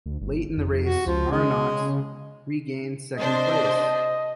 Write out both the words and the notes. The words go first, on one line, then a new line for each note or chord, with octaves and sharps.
Late in the race Arnoux regained second place.
D2
G1
F2
F#4
C#2 F3
C#3 G#3
C3 D4 C5 D#5